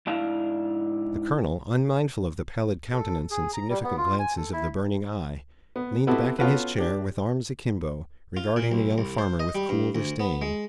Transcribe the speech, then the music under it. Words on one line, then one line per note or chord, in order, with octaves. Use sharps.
The colonel, unmindful of the pallid countenance and significant glances of the burning eye, leaned back in his chair, with arms akimbo, regarding the young farmer with cool disdain.
G#2 D4 E4 F5 A5
A4
G#4
A#5
G3
B3
F4
G#5
A4
E4
B3
B3 C4 E4 F#4 G4 A4
B3 C#4 F4 F#4 A4 B4
D4 G4
F4
A#2
B1
C2
C5
D#5
G3
G2
D2
B3
G#3